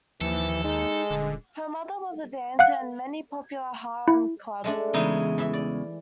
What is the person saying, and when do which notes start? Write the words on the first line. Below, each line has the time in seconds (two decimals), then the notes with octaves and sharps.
Her mother was a dancer in many popular Harlem clubs.
0.21 D#2 E3 F3 A4
0.65 G#3 D#4
1.11 D#1 D3
2.59 F5 F#5 F#6
4.08 E4
4.64 G#3 A3 D4
4.94 E2 C#3 G#3 D#4 E4
5.38 E3 E5
5.53 D5